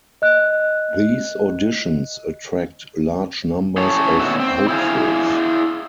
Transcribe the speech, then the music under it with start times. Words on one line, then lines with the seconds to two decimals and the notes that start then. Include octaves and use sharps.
These auditions attract large numbers of hopefuls.
0.22 D#5 F#6
3.78 C#4 E4 A4 C#5
4.20 A#2 D#3 B3 F#4 C#5 E5
4.40 C4
4.68 E4 G#4 F5